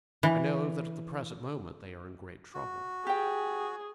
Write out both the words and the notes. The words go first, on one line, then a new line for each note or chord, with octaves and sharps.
"I know that at the present moment they are in great trouble."
E3
F#4
G4 G#4 G5